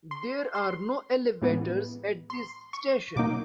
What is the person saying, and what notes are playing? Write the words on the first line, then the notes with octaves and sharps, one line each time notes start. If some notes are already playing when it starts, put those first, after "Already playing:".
There are no elevators at this station.
C6
C6
A2 E3 G#3 B3
C6
C#6
B2 F#3 A#3 D#4 D6